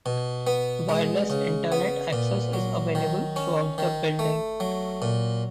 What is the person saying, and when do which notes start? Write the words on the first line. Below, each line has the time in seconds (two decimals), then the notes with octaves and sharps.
Wireless Internet access is available throughout the building.
0.06 B2
0.47 B3
0.89 G#3
1.30 C#3
1.72 B3
2.13 A#2
2.54 F#3
2.95 D#3
3.36 C#4
3.78 D#3
4.19 A3
4.60 F#3
5.02 A#2